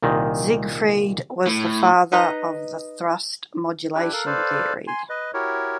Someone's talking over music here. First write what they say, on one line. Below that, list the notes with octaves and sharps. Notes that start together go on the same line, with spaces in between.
Siegfried was the father of the "thrust modulation theory".
C2 A#2 D#3 D#5
A2
D#4 B4 D#5 A#5
D4 E4 G4 B4
A4 A#4 F5 F#6
A4 B4 C5 D5 F5
G#5 C6
B4 D#5
E4 F#4 G4 A#4 C#5